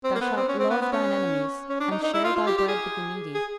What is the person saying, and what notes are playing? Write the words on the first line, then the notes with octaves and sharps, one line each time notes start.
Thou shalt love thine enemies, and share thy bread with the needy.
C4
A#3
B3
C4
C#4
C4
B3
B3
C#4
C#4
D4
D#4
D#4
E4
F4
F4
G4
G4
G#4
G#4